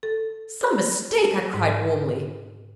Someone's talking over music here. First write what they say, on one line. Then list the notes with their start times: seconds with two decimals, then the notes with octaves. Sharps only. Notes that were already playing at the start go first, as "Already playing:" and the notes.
'Some mistake!' I cried, warmly.
0.03 A4
1.54 G#2